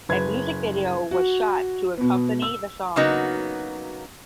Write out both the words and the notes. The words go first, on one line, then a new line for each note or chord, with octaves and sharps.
A music video was shot to accompany the song.
F#1 B4 G#6
F#4
B2 B3
E6
C#3 F#3 A#3 B3 D#4 F#4